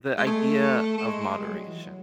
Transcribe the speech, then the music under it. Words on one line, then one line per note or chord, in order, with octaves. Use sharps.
the idea of moderation.
G#3
A3
A3
G#3
G3
F#3
E3
F#3